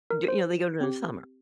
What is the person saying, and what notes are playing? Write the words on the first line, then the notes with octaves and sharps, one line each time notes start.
D you know, they go during the summer.
A#4
C5
C4 G4